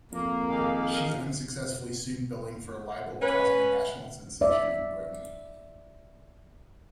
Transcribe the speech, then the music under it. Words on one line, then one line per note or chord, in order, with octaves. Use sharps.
She unsuccessfully sued Billing for libel, causing a national sensation in Britain.
F2 A#3
D#3 G#4 F5
C#4 B4
D5 E5